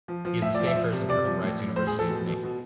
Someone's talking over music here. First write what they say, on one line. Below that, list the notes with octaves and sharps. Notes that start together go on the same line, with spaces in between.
He is the same person for whom Rice University is named.
F3
F3
A2 E5
F3 D5
E5
F3
C3
C3 D5
F3
A2
A2
A2 C5
G#4
A2
A4
B2
B2
B2